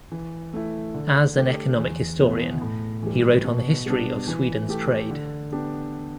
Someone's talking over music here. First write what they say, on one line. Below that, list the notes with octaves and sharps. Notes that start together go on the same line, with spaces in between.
As an economic historian, he wrote on the history of Sweden's trade.
E3
A3 E4
D3
A3 G4
E2
B2 B3 E4
A2
E3 G3
B2
G3 B3 D4
E3
A3 G4
D3
B3 D4 G4